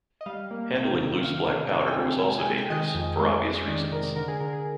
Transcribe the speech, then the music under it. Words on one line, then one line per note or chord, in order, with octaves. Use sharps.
Handling loose black powder was also dangerous, for obvious reasons.
D#5
G3 F5
A#3
C3 G5
A#3
D#3 F5
C3
C3 G5
G#5
G5
C3
G#3 G5
G#5
G#3 G5
G5
D#3 D#5
F2
G#3
G#3
D#3 D5
C3 A#4
D3 A#4
G#4
D3 A#4
G#4